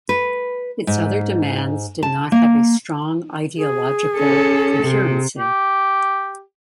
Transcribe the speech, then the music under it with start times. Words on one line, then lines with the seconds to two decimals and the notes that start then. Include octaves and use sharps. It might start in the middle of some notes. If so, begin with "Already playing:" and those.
Its other demands did not have a strong ideological coherency.
0.09 B4
0.87 G#2
2.03 A5
2.32 A#3
3.57 G#4
4.17 C#4 A4
4.84 C3
5.39 G4